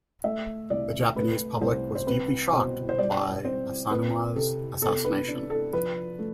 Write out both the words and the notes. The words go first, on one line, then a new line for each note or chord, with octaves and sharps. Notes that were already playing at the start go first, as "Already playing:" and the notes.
The Japanese public was deeply shocked by Asanuma's assassination.
A3 E5
C2 D5
A3 B4
C2 C5
C5
C4 B4
B2 C5
C5
G3 D5
C4 C5
C4 B4
C3 A4
B3 A4
B4
D4
A4
F3 B4
A3